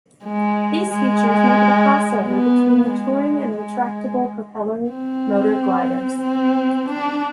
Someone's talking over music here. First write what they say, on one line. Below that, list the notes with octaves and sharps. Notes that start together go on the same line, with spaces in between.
These features make it a cross-over between the touring and retractable propeller motor gliders.
G#3
G#3
B3
G#3
G#3
C4
C4
D4